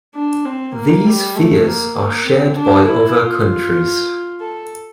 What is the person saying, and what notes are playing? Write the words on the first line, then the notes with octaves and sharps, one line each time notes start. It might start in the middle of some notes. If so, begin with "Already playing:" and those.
These fears are shared by other countries.
D4
C4
A#3
G3
A3
A#3
A#3
C4
D4
E4
F4
A4